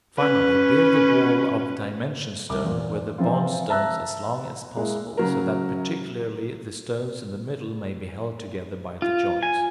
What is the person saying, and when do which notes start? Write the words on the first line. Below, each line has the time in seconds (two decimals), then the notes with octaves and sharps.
Finally, build the wall of dimension stone, with the bond stones as long as possible, so that particularly the stones in the middle may be held together by the joints.
0.18 C#4 B4
2.49 C2 D6
2.65 E2 A#2
3.18 E3 F3 C4 F4
3.69 E5 A5 A#5 E6 F#6
4.77 G#3 A#3 E4
5.17 C#3 F#3 A#4
9.02 F4
9.43 G#5